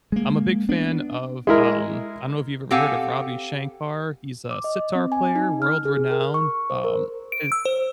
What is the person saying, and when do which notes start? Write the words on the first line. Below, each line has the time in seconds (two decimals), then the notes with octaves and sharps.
I'm a big fan of, um I don't know if you've ever heard of Ravi Shankar. He's a sitar player, world-renowned, um, his
0.12 G#3 A#3
0.69 B3 D4
1.47 G#3 E4 A#4
2.71 C4 G4 A4 F5 F#5 G#5
4.51 D6
4.64 D#5
4.95 C4
5.12 G#5
5.36 D#4
5.62 F6
5.85 G#4
6.11 A#4
6.34 C#6
6.70 C5
6.84 A#4
7.32 D7
7.52 E6
7.65 C5